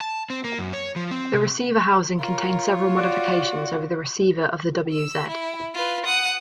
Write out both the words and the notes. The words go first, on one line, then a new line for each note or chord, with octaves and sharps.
The receiver housing contains several modifications over the receiver of the wz.
A5
C4
A#3
F#2
C#5
F3
C4
C3
F4 A#4 C#5
F#4 D5
E6
E4
F4 B4
F#5 D#6